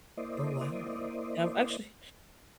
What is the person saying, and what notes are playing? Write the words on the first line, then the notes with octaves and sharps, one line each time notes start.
"But why?" And I've actually
A#3 E4 C5 D5 D#5